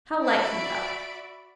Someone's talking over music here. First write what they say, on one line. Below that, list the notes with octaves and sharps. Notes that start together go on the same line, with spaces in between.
How light he felt!
F#4 D5 E5 B5 D7